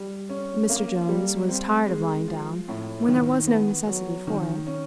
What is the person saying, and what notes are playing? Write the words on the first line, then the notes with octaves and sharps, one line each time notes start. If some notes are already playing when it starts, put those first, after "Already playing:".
Mr. Jones was tired of lying down when there was no necessity for it.
Already playing: G3
C#4
A#3
G3
C4
G#3
F3
A2
D#3
B3
F#3
D#3
C#4